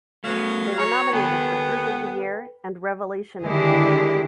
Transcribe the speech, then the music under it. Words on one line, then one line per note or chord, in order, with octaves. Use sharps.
They were nominated for Group of the year, and Revelation of the year.
F#3 A3 B3 F5
F#3 C#5 A#5
D#2 B3 A4 B4 G5
D3 D#3 G#3 D4 E4 G4